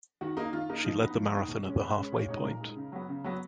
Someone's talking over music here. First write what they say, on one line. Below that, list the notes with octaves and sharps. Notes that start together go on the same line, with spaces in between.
She led the marathon at the halfway point.
D#3 F#4
A#3 D#4
D#3 F4
A#3 D#4
F3 D#4
B3 D#4
F3
B3 D#4
B2
G#3 C#4
B2 B4
G#3 C#4
A#2 C#5
G#3 D#4 C#5
A#2 A#4
G#3 D#4
C#3
F#3 B3
C#3
F#3 B3